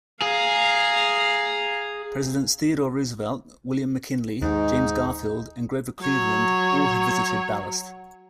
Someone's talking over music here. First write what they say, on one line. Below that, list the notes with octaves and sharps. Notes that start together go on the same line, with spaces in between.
Presidents Theodore Roosevelt, William McKinley, James Garfield and Grover Cleveland all have visited Ballast.
G#4 F5 A#5
D#2 G#2 D#4
F#3 C#5